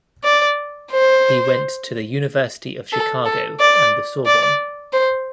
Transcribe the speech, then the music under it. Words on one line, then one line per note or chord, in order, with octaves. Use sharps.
He went to the University of Chicago and the Sorbonne.
D5
C5
A4
A4
D5
D5
C5